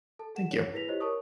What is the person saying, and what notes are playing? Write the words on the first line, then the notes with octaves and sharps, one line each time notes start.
Thank you.
A4 A5
G#4 F#5 E7
C#5
E4 G#4 B4 A#6 B6 F7
E4 F4 G4 C5 C#5 D#5
A#4 C#5 A5 C#6 D#6